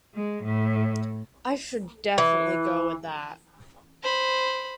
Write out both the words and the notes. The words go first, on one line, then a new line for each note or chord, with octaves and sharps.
I should definitely go with that.
G#3
A2
E3
C5 B5